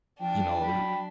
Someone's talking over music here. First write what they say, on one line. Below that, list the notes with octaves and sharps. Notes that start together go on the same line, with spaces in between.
you know,
F3 D4 G5
F#3 B5